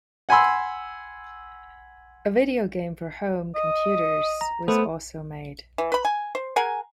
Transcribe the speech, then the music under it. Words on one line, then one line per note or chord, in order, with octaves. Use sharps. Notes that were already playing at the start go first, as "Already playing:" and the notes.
A video game for home computers was also made.
F#5 G#5 B5 C6 E6
D#5
A#5
A3 B3 A4 C5
E3
B4 B5
G#5
C5
G#4 A#4 F#5 G#5